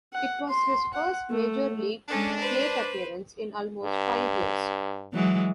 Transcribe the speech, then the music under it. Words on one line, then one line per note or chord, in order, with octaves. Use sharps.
It was his first major league plate appearance in almost five years.
F#5
C6
F#5
A3
G#3 C#4 D4 A4
B4 C5
G2
E3 F#3 G#3